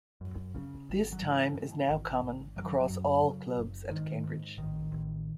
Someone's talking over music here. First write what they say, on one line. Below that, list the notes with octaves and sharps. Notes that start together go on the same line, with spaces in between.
This time is now common across all clubs at Cambridge.
F#2
C#3
G#1
F#3
G#2 E3
G#2
G#1
G#1
F#1 F#3
E3
F#3
F#2
C#3
F#1
G#2 D#3
G#2
A1 D#3
A1